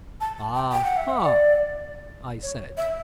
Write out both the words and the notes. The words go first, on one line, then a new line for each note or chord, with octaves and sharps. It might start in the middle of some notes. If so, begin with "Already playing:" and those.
"A-ha!" I said.
A5
A5
G5
G5
F#5
E5
F#5
D5
C#5
E5